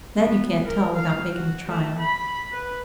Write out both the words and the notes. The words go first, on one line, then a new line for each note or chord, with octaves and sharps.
"That you can't tell without making the trial."
B3
A#4
F5
F#4
A3
B5
B4